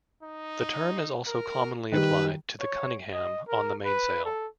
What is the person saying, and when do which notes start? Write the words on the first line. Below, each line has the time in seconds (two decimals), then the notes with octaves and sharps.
The term is also commonly applied to the cunningham on the mainsail.
0.23 D#4
1.27 A#4
1.92 D#3 G3 B4
2.60 C#5
3.13 D#5
3.48 A#4
3.85 B4
4.25 A4